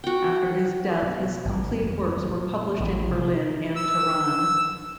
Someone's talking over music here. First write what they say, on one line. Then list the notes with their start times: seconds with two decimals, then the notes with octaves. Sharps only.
After his death his complete works were published in Berlin and Tehran.
0.04 F#4 G5
1.02 B2
1.45 G#1
1.83 F2
2.17 F#3
2.30 A#2
2.80 A1
3.09 C3
3.76 E6